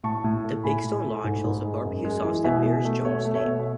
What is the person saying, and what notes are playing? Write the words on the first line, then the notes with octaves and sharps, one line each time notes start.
The Big Stone Lodge sells a barbecue sauce that bears Jones' name.
A2 A5 C#6
A2
A3
A2 G#5 B5
A2
A3
G#2
G#2
G#3
F#2
G#3
E3
B2 E5 G#5
B2
A3
B2 C#5 E5
A3
C#5 E5
B2
E5